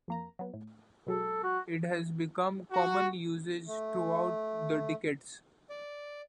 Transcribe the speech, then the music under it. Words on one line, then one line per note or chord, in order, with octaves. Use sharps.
It has become common usage throughout the decades.
F2 A#3 A#5
F#3 B3
A2
B2 F#3 G#3 A4
F#4
F#4
A3
D5